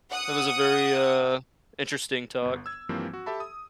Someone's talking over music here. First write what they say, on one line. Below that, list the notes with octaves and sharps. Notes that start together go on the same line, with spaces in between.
That was a very, uh, interesting talk.
F#5 D#6
G1 B3
E6 G#6
G2 E3 F3 G3 A#3 C4
F#4
G4 A4 E5 A5 B5
D#6